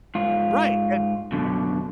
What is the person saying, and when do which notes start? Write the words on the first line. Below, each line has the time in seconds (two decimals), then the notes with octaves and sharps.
Right, and
0.15 G#2 F4
1.32 F#2 B2 D3